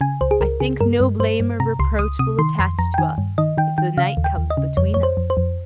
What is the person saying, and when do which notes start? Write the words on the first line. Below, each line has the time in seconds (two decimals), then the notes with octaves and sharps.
I think no blame or reproach will attach to us if the night comes between us.
0.01 C#3 G#5
0.21 C#2 C5
0.31 G#4
0.41 C#2 A#4
0.60 C#3 G#4
0.81 G2 A#4
1.00 G2
1.20 G2 C5
1.40 G2
1.60 C3 A#5
1.79 C#2 C6
1.99 C#2 D#6
2.19 C3 D#6
2.38 D#3 C6
2.59 F2 C6
2.79 F2 A#5
2.94 G5
2.98 D#3 G#5
3.18 G2
3.38 D#3 D#5
3.58 D#3 G5
3.78 D#3 G5
3.97 C#3 F5
4.17 D#2
4.24 G5
4.37 D#2
4.50 D#5
4.57 C#3
4.77 F2 C#5
4.94 F2 C#5
5.03 C5
5.17 F2
5.30 C5
5.37 F2